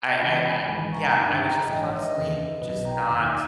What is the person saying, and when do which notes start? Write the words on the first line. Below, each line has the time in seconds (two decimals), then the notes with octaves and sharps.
I I I yeah. I was just constantly just not
0.21 C#2 C#3 E3 G#5 B5
0.44 G#5 B5
0.68 G#1 G#2 E3 G#5 B5
0.92 A#5 C#6
1.17 G1 G2 D#3 G#5 B5
1.29 G#5 B5
1.40 G5 A#5
1.52 E5 G#5
1.65 A#1 G#2 E3 D#5 G5
1.81 C#5 E5
1.97 B4 D#5
2.13 D#2 C#3 E3
2.61 B1 B2 B4 D#5
2.85 G5 A#5
3.09 D#2 D#3 E5 G#5